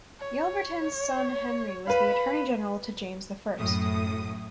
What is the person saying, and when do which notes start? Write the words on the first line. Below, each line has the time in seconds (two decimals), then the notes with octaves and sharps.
Yelverton's son Henry was Attorney-General to James the First.
0.20 C#5
1.87 B4 F5 B5
3.56 F#2 A2 D#6